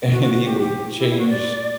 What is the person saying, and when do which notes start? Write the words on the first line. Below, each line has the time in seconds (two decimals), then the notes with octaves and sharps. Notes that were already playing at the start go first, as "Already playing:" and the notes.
And he would change
0.12 F#4
0.23 F#4
0.34 F#4
0.45 G4
0.60 G4
0.98 E4
1.09 E4
1.18 F#4
1.29 D5